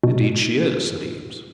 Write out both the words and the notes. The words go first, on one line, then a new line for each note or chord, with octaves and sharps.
"Indeed she is," said Eames.
B2